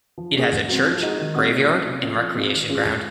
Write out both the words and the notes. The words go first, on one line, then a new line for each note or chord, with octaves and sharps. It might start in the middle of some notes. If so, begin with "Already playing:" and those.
It has a church, graveyard and recreation ground.
F3
A#3 C#4 G#4
G#2
F#3 C4
F3
G#3 D#4 F#4
D#3
G#3 C4 D#4 F#4
A#2
F#3 C#4
C3
F3 A#3 C#4 F4
F3
C4 D#4 F#4
D#3
G#3 C#4 F4 G#4
G#2